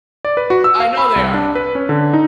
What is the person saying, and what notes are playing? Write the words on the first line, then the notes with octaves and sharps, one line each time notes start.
I know they are.
D5
B4
F#4
E6
F5
B5
C2
D4
B4
C#4
D3
D#4